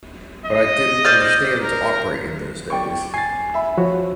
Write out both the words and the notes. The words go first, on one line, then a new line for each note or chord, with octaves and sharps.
But I didn't understand to operate in those days.
D#5
C5 D5 F6
A#4
D5 G5 C#6
G#5 A6 C7
E5 B5
F3 F#4 C#5